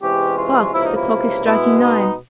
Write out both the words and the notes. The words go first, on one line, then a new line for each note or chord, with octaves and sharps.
Hark! the clock is striking nine.
E2 C3 E3 G#3 C#4 G4
F4
C#2 C3 F3 A#3 E4
D#4
E4
B2 G#3 B3 E4
D#4